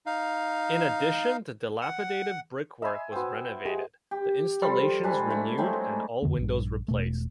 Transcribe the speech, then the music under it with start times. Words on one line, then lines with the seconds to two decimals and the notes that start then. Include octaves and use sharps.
In addition, the dilapidated brickwork was renovated, the installations renewed and all windows replaced.
0.06 D#4 F5
1.81 F#5
2.82 D#5 E5 G#5 B5 C6
3.12 B3 F#4 C5 G5
3.65 G#3 G4
4.11 G4
4.62 F3 G3 F4 A4
5.03 G#2 D4 G#5 B5
5.30 A3 E4
5.58 F#3 G#3 A3 C4
6.22 F2 D3 E3 A#3
6.37 A#1 G2
6.88 E1 B2 A3